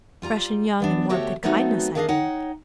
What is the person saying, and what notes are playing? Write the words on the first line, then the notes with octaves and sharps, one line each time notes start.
'Fresh and young in warmth and kindness, I mean.
G3 F4 G#5 A#5
E3 B3 D4
D2 A3 F#4 G4 C#5 E5
F#3 A3 B3 C4 D#4 F#4
A#3 B3 D4 G#4 D#5 F5
D#4 C#5 F#5 G5